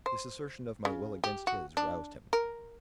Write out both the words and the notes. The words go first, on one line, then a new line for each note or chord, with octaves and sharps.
This assertion of my will against his roused him.
C5
C#3
G4
F#4
D4
A#4